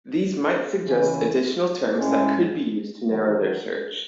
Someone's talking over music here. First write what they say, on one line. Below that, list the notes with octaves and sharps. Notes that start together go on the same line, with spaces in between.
These might suggest additional terms that could be used to narrow their search.
D#2 C#3 E3
A2 G#3 C#4 E4
E2 D#3 F#3